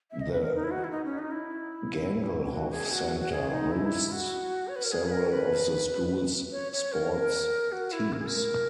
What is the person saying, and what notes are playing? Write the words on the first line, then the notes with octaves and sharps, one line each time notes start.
The Gangelhoff Center hosts several of the school's sports teams.
E5
D#5
B4
A#4
D#4
E4
F#4
E4
D#4
C#4
D#4
E4
F#4
G#4
F#4
F#4
G#4
D#4
E4
F#4
C#5
B4
A#4
G#4
B4
A#4
B4
C#5
C#5
A#4
A#4
F#4
E4
A#4
G#4
A#4